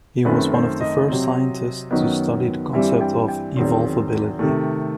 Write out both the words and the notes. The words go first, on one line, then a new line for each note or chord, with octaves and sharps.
He was one of the first scientists to study the concept of evolvability.
F#2 D#3 A3 C4 B4
C5
D#5
C3 F#3 C4
F#2 D#3 F#3 B3 D#5
G2 E3 G3 C4 E5
G5
G5
E2 D#3 F#3 C4
C3 D#3 A3